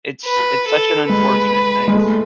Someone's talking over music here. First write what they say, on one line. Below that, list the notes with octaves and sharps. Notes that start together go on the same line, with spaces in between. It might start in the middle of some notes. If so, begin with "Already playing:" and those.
it's it's such an unfortunate thing.
B4
A4
G#3 B4
G#3
A3